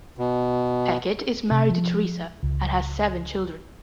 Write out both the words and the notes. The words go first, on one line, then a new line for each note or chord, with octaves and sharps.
Peckett is married to Teresa and has seven children.
B2
C3
F3
C#2